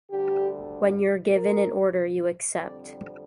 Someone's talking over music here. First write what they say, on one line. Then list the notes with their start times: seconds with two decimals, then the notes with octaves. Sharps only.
When you're given an order, you accept.
0.11 D2 D3 G3 G4
1.33 A#4
2.57 F2 D3 G3 C4 D5